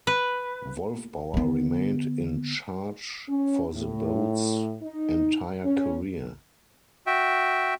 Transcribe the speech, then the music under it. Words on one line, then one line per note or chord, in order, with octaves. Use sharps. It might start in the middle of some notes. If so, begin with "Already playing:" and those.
Wolfbauer remained in charge for the boat's entire career.
B4
D3 B3
C#4
A2
D#4
C#4
F#4 E5 G5